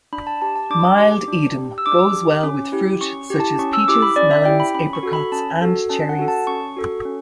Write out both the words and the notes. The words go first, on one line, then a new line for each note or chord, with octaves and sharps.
Mild Edam goes well with fruit such as peaches, melons, apricots, and cherries.
D4 B5
A5
G4 A5
A5
D4 D6
G4
D4
G4
E6
D4 D6
G4
C#4
E4 G4
C#4 C#6
E4 G4
A5
C#4 C#6
E6
E4 G4 D6
B5
C#4 D5
E5
E4 G4 G5
B5
C#4 B5
C#6
F#4 A4
B5
C#4 A5
F#4 A4
C#4 A5
F#5
F#4 A4
A5
C#4 C#6
F#4 A4
C#4